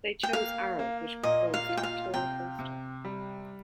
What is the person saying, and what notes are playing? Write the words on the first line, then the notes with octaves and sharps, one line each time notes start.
They chose Arrow, which proposed a -tall coaster.
G5
A#3 F5
A#3
A#2 D#5
F5
F4
G5
F5
C3 G5
C3
G3